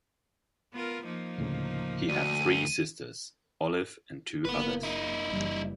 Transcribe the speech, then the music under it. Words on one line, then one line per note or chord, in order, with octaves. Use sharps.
He had three sisters, Olive, and two others.
B3 F4 A#4
F3 A#3 D#4
D2 A2 C#3
D2 F#4 D5 D#7
F#1 A#3 B3 B4
D#4 E4
F#1 E3 G3